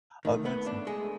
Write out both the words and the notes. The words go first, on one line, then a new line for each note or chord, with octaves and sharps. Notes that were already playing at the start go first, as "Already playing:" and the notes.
Oh, that's in
D#3 A3
B3
D4
G#3